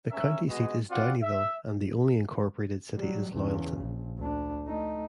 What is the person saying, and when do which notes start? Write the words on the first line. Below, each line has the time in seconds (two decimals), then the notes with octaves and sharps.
The county seat is Downieville, and the only incorporated city is Loyalton.
0.11 C#4 A#4 E5
0.49 G#3 B3 F#4 D#5
0.90 C4 F4 F#4 D5 F#5
1.22 E5
2.97 F#3 G3
3.31 E2 C#3
3.80 A#1
4.19 D2 D4
4.67 A3 D#4